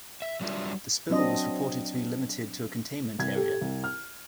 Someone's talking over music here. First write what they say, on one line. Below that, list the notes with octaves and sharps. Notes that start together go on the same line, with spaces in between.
The spill was reported to be limited to a containment area.
E5
F#3 G3 D4 F4 E5
F#3 C4 D4 D#5
C2 G#6
G4 A4
C2
F6